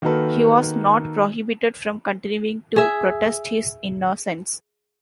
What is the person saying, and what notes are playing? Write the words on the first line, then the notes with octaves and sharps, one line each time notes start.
He was not prohibited from continuing to protest his innocence.
D#3 A#3 D#4 F#4 A4 B4
G#4 E5